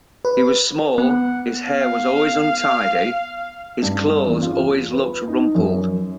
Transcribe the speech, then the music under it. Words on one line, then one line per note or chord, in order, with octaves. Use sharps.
He was small, his hair was always untidy, his clothes always looked rumpled.
B4
B3 F#5
F5
G2
E2
F4
B4
D#4
F#2